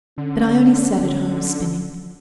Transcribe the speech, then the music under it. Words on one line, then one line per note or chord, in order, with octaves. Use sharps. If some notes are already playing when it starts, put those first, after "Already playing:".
But Ione sat at home spinning.
D3 C#4